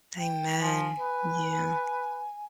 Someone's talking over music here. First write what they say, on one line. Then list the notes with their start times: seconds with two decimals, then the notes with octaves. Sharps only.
Amen, yeah.
0.18 G5
0.60 F3 G#5
1.00 B4